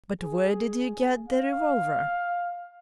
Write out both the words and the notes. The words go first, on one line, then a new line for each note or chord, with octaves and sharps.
But where did you get the revolver?
G#4
F5